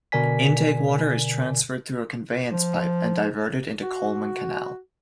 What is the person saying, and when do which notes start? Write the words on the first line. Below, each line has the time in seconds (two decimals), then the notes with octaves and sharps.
Intake water is transferred through a conveyance pipe and diverted into Coleman Canal.
0.12 B2 D3 A#4 D5 G#5 B6
2.52 F3
3.82 F#4